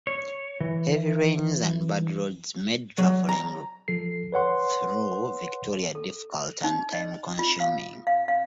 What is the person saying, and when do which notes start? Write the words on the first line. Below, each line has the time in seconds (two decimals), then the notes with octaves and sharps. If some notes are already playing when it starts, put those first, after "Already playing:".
Heavy rains and bad roads made travelling through Victoria difficult and time-consuming.
0.07 C#5
0.60 E3
2.98 F#3
3.29 A#5
3.88 F3 A4 C7
4.32 B4 C#5 F#5 C6
5.95 A4
6.64 D#4
6.93 D#5
7.39 F4
7.60 F5
8.07 F5
8.28 F5